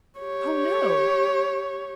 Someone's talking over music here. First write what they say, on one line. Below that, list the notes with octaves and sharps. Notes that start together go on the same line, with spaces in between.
"Oh no!"
G4 C#5